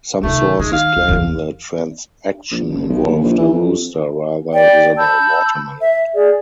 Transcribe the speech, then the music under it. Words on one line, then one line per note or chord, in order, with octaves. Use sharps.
Some sources claim the transaction involved a rooster rather than a watermelon.
C3 D#3 A3
D#3 G#3
F5
E2
E2 C#3
A#1
F#1
B1
D#2
A#1
E3
F2
D5 G5
A5 B5 E6 G6
E5
G#4 D5